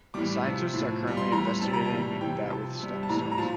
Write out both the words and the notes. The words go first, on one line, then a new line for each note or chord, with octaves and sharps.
The scientists are currently investigating that with stem cells.
A2 E3 G3 D6
C3 F3
A2 F3
A#2
G3
C6
A2 E3 G3 A#5
C3 G3 A5
A#5
A5
A2 E3 G3
C3 E3 G3 G5
C3 F3 A5
C3 G3
A5
A2 E3 G3 A#5
A#5
A#2 F3 A5